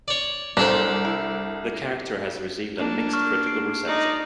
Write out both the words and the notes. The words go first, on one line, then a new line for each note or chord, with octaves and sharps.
The character has received a mixed critical reception.
C#5 D5
C2 C#3 D4 A4 C5 D5
E4
A#3 D4
C#6 F6
C7 D7
D#4 D5